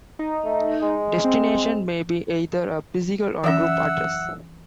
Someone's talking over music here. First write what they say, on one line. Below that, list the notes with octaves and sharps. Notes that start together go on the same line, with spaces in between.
Destination may be either a physical or group address.
D#4
A3
G#3
C4
F#2 E3 C#4 E5 F#5 E6